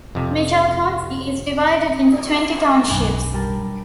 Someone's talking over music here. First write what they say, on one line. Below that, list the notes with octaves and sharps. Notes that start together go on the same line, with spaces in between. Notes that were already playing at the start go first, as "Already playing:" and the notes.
Mitchell County is divided into twenty townships.
F2 C3
B1 F#2 D4 B4 G#5
G3 A#4 A5